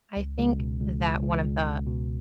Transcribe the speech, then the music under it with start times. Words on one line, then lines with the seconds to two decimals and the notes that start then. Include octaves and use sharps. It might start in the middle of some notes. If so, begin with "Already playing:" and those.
I think that one of the
0.17 C#2
0.38 C#2
0.59 B2
0.80 C#2
1.01 C#2
1.23 C#2
1.44 C#2
1.65 C#2
1.86 B2